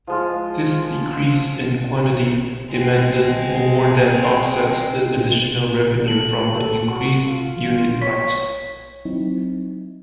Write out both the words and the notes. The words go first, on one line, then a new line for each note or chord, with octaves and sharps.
This decrease in quantity-demanded more than offsets the additional revenue from the increased unit-price.
F3 G#3 F4
G#3 C4
A4 F#7
A4
F#4
F4
C#5 B6
F#3 C4 D#4 E4